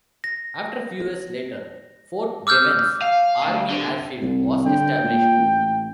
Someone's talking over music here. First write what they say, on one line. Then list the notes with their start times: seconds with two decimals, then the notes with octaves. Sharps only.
A few years later, Fort Devens Army Airfield was established.
0.24 A#6
2.47 D6 E6 F6 G6
3.02 F5
3.42 D2
3.70 D3
4.22 C2
4.66 D3 G5
5.04 A#2
5.38 A1